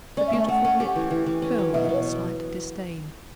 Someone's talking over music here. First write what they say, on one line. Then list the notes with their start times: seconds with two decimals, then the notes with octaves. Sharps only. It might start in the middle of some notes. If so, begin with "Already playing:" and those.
Her beautiful lip curled in a slight disdain.
0.17 C#4 D5
0.27 E5
0.33 A3
0.39 E5
0.48 A3 F#5
0.65 C#4
0.80 G4
0.95 E3
1.10 E3
1.26 E3
1.42 C#4
1.58 F#3
1.73 B2 E5
1.84 E5
1.89 B2 B4
1.94 C#5